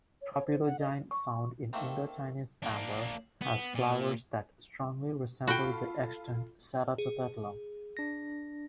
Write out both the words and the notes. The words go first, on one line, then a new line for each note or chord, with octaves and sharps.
"Tropidogyne", found in Indochinese amber, has flowers that strongly resemble the extant "Ceratopetalum".
C#5
C#5
C5
F#5
D#5
C#6
D#3 F#3 A3 A#3 C4
A#3 D4
B3
A#2
F4 F#4 A4 G5 B5
G#4
D4 A#6